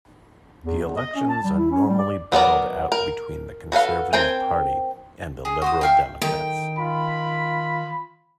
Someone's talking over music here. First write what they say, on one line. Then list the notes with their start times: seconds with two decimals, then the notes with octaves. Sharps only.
The elections are normally battled out between the Conservative Party and the Liberal Democrats.
0.63 E2
0.84 E2
0.96 D#5
1.14 C#4
1.29 A5
1.44 G3
1.57 E4
1.71 C#4
1.86 G3
1.98 D5
2.32 F#3 B3 A#4 D5
2.92 A#4
3.72 F#4 A4 B4 F5
4.13 C4 A#4 C5 G5 G#5
5.45 G#4
5.62 F#4 C5 D#6
5.81 E5 F5 G5
6.22 D#3 G5
6.78 F4 B5